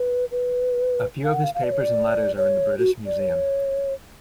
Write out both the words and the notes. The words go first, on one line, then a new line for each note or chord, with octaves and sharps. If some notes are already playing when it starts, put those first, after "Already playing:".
A few of his papers and letters are in the British Museum.
Already playing: B4
B4
F5
F#5
F5
F5
D5
C#5
D5
C#5
F#4
D5
C#5